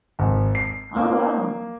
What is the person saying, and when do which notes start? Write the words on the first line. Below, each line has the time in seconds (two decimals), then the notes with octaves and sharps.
Oh, wow.
0.19 G#1
0.55 C7
0.96 A#3